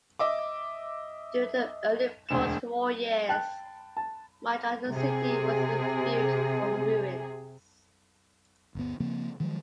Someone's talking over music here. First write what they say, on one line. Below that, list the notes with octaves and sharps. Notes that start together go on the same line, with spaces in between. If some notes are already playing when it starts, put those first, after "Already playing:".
During the early post-war years much of the city was rebuilt from ruins.
D#5 E5 D6
E1 D2 E7
G5 A5 F#6
A5
C3 G#4
G1 D2 B3
C#3 F3 A#3 C4
D#3 F3 F#3 G#3